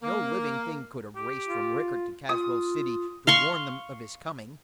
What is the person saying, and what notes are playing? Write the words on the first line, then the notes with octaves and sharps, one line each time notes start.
No living thing could have raced from Rickett to Caswell City to warn them of his coming.
A#3
G4
F4
F4 D#6
F5 C6 C#6